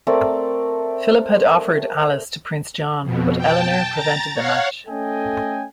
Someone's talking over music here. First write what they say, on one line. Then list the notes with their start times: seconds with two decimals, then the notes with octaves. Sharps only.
Philip had offered Alys to Prince John, but Eleanor prevented the match.
0.07 A3 C4 A#4 D5
3.03 F2 B2
3.38 G5 A5
3.94 A#5 A6
4.34 C#5 F5 F#5
4.88 A3 C#4 A4 D#5 G5 G#5